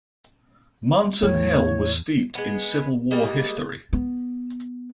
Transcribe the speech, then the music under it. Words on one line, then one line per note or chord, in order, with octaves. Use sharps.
Munson Hill was steeped in Civil War history.
E2 A2 C#5
G#3 B3
G3 G#3 A#3 D#5
B3